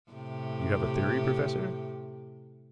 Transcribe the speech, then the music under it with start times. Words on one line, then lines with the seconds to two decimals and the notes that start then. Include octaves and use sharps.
"You have a theory, professor?"
0.11 A2 C3 G4